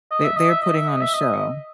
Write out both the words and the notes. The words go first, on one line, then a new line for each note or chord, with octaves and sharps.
They're they're putting on a show.
D#5
E5
D#5
E5
D#5
E5
D#5
E5
D#5